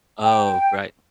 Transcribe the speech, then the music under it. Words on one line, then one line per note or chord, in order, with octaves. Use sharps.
Oh, right.
G5